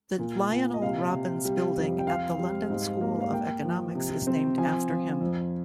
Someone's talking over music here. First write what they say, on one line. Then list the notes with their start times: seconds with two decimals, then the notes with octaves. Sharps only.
The Lionel Robbins Building at the London School of Economics is named after him.
0.18 A#2
0.51 A#2
0.74 D#5
0.82 C3 F5
1.12 C3
1.45 G3
1.76 F2
1.98 G5
2.07 C4 F5
2.39 G3
2.70 G#2
3.01 A#3
3.20 F5
3.32 A#3 G5
3.64 F3
3.95 C3
4.27 C4
4.58 F3 G#5
4.89 F3
5.21 F2